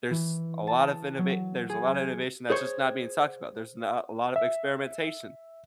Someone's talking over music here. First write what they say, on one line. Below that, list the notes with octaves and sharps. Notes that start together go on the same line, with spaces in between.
There's a lot of innova There's a lotta innovation that's just not being talked about, there's not a lotta experimentation
E3
A5
F#3
G#4
G#6
G#4 C5 C#5
E5